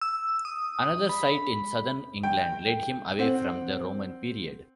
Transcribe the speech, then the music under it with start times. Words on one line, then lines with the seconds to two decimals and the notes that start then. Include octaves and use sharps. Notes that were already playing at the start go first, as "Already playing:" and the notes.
Another site in southern England led him away from the Roman period.
0.02 E6
0.45 D#6
1.09 B5
2.23 G5
3.19 C4 F#5